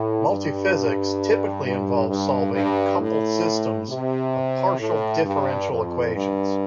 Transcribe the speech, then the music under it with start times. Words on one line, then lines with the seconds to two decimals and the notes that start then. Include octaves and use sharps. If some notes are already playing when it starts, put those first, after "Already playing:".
Multiphysics typically involves solving coupled systems of partial differential equations.
Already playing: A2
0.28 G2
1.64 G2
2.08 G2
2.54 G2
3.00 A2
3.89 C3
4.79 A2
5.24 G2
5.70 F2
6.15 G2